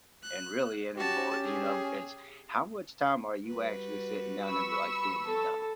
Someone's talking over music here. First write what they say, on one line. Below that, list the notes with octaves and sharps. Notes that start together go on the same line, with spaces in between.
and really and it boy, you know, it's how much time are you actually sitting down and were, like, doing nothing?
F#6
C#4 F#4 G4 A5
G#4
G3 F#4 B4
B5 C#6 E6
A4